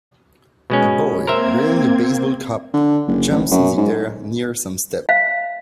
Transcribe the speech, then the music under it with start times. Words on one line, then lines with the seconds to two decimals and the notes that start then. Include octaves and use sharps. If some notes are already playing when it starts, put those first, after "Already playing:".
A boy, wearing a baseball cap, jumps in the air near some steps.
0.70 B2 G#3 C#4
1.27 A#3 C4 A#4 C5 E5 G#6
2.74 D3
3.07 F#1
3.31 A1
3.51 F#2
3.77 G#2
5.09 F5